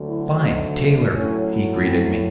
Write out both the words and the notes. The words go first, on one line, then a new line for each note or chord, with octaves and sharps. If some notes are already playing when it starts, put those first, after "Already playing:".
"Fine, Taylor!" he greeted me.
Already playing: D2 D3 F#3
E4
D#4
A2 F#3 C#4
C4